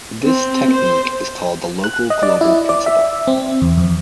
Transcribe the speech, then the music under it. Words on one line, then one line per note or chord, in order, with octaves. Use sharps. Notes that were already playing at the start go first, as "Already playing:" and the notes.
This technique is called the local-global principle.
C4
C5
F#6
D#5
D5
E4
D5
E5
C4
E2
F2